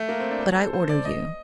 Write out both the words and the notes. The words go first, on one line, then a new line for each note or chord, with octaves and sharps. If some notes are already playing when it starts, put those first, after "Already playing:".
But I order you.
Already playing: A3
A#3
C4
D4
C5
A4
C5
C5
D5
D#5